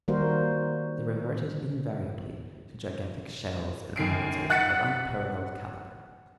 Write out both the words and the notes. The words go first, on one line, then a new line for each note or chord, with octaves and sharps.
They reverted invariably to gigantic shells and howitzers of unparalleled caliber.
D#3 G3 A#3 F#4 A#4 C5
F#2 D#3 C7 D7
F#5 F#6 A6 B6 C#7